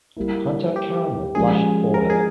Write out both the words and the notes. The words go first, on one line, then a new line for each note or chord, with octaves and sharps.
Hunter Caramel blushed for her.
G3 A#3 E4
G4
F3 G#3 C#4 G4 G#4
A#4
G#4